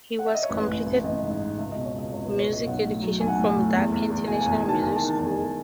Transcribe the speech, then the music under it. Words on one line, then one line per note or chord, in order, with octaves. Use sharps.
He was completed music education from Dhaka International Music School.
F#5
E5
D#5
C#5
A1 B4
A1
A1
A1 D#5
G#2
D#5
G#2
C#2 E5
D#5
B2
C#5
C#2 D#5
C#2 C#5
B4
B2
C#5
C#2 D#5
B1 F#5
A2
F#3
B1 G#5
F#5
A2 G#5
A2
E2
E2
E2
E1 G#5
G#5
E2
G#5
D#3 A5
E2 G#5
A5
D#3
A5
E2 G#5
E2